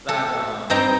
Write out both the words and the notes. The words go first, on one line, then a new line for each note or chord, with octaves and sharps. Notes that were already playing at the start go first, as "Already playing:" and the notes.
but, um,
A4 A5
G2 C4 D#4 D#5 G5 A#5